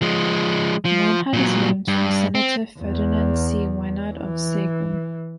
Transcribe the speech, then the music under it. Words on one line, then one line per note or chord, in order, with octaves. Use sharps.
Weinert is named for Senator Ferdinand C. Weinert of Seguin.
F3 G#3
F3
A#2 F#3
G2
C4
E2
E3